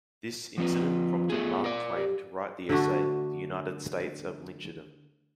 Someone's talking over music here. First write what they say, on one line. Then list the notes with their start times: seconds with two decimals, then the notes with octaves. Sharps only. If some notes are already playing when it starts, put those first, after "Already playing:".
This incident prompted Mark Twain to write the essay "The United States of Lyncherdom".
0.58 F3 C4 F4 B4
1.30 A3 B3 G#4
1.64 A#4 D5
1.95 G4
2.69 D3 A3 D4 F#4